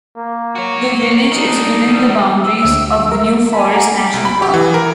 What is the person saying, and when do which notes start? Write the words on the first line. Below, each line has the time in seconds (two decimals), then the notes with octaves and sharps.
The village is within the boundaries of the New Forest National Park.
0.17 A#3
0.55 F#4 C#5
1.32 D4 D#4 A#4
1.88 E3 G3
2.40 E6
2.63 D2 E5
3.12 A#4
3.53 D5 G#5 A5 B5
3.72 F#5 G#5 A#5 D6
4.14 C2
4.25 B5
4.42 G4
4.54 E3
4.74 A#4